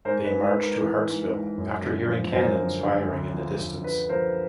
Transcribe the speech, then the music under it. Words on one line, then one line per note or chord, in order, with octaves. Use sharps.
They marched to Hartsville after hearing cannons firing in the distance.
G#2 A#4 C5
B4
G#2
B4
G#2
A#4
E3 B4
G#2
G#2
F#2
D3
F3
F#2 A#4 C5
D3
D3
D2
F3
D2
D3 B4
F3 A#4 C5